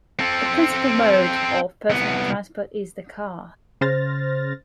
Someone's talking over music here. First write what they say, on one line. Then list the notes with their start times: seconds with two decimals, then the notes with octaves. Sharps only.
The principal mode of personal transport is the car.
0.19 C4 A4
1.90 C2 B3
3.81 C#3 C5 F6 A6 A#6